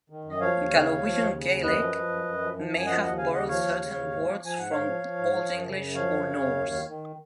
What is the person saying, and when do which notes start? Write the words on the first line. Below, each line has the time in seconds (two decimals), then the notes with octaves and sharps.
Gallowegian Gaelic may have borrowed certain words from Old English or Norse.
0.10 D#3
0.24 F#2
0.31 D#5
0.40 F3 C#5 F5
0.56 D#2
0.71 C#3
0.87 D#2
1.02 F3
1.17 D#2
1.33 C#3
1.48 D#2
1.63 F#2 B4 D#5
1.79 F3
1.95 F3
2.09 F#2
2.25 F#2
2.40 F3
2.56 F3
2.71 F#2
2.77 G#5
2.86 F3 D#5 F#5
3.02 D#2 D#5 F#5
3.17 C#3 F5 G#5
3.33 D#2 D#5 F#5
3.48 F3 C#5 F5
3.64 D#2
3.79 C#3
3.94 D#2
4.10 G#2
4.26 F3
4.41 F3 G#5
4.56 G#2 F#5
4.71 G#2 C#5 F5
4.87 F3
5.03 F3
5.18 G#2
5.34 F3
5.49 F#2
5.64 C#3
5.80 F#2
5.94 F3 C#5 F5
6.11 F#2
6.25 C#3
6.41 F#2
6.57 D#2
6.73 D#3
6.87 D#3